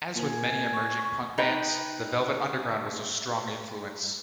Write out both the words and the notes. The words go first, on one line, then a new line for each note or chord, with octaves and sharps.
As with many emerging punk bands, the Velvet Underground was a strong influence.
A#2 G#5
C#6
D#4 B4 G5